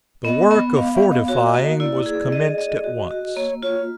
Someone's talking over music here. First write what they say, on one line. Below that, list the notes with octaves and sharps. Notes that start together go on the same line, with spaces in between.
The work of fortifying was commenced at once.
B3 D#5
B3
D#5 F5
E5
F5
D#5
F#4 C#5
D#5
A#3
D#5
E4 D5
G#4
D#5
D#5
F#4
F#4
A#3 C#5
F4 C#5